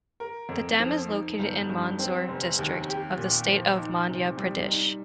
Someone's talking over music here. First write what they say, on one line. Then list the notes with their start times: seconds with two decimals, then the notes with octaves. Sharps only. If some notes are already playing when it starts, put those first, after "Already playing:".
The dam is located in the Mandsaur district of the state of Madhya Pradesh.
0.20 A#4
0.49 F2
0.80 F3
1.09 D#4
1.39 G1
1.70 G2
1.99 C4
2.28 F1
2.59 D#2
2.89 G4
3.18 A#2
3.49 F3
3.78 D#4
4.09 C3
4.38 G3
4.68 D#4